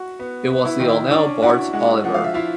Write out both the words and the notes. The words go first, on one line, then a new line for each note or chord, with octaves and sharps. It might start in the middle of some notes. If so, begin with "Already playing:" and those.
It was Lionel Bart's Oliver!
Already playing: F#4 F#5
B3
B3
E4 E5
D#3
E4 E5
C#4 D4 D5
E4 F#4 F#5
G#3 F#4 F#5
F3 F#5
F5
E5
E4 F4 F5